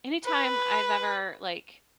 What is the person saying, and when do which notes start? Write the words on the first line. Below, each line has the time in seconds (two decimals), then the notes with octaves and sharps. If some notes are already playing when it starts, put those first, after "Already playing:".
anytime I've ever, like,
0.25 B4